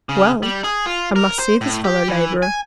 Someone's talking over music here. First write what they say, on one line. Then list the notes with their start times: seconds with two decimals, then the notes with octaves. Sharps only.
Well, I must see this fellow-laborer.
0.09 C#3
0.43 G3
0.64 G#4
0.86 F4
1.16 A#4
1.39 C5
1.61 A2
1.84 G4
2.08 E3
2.43 G#5